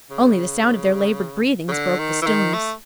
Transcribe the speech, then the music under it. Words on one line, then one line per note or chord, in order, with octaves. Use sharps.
Only the sound of their labored breathings broke the stillness.
C#3
C#3
D3
D#3
E3
D#3
A3